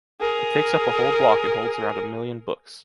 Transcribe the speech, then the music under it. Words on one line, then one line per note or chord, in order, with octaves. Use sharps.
It takes up a whole block and holds around a million books.
G#4 A#4